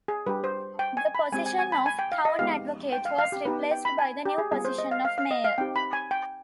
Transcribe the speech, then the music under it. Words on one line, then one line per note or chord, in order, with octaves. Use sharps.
The position of 'town advocate' was replaced by the new position of mayor.
G#4
G3 D4 G4 B4
C5
G5
G#5
B5
G#3 C4 G4 G#5
G#5
G#5
B5
G#5
G5
F5
D#5
G#3 B3 D#4 G4 F5
G5
F5
F5
G4
B3 D#4 G4 B4
G5
B5
G#5
G4
G#4
G3 B3 F4 G#4
C5
D#5
F5
F5
F5
D#5
F5
C4 D#4 G4 G5
B5
G#5
G5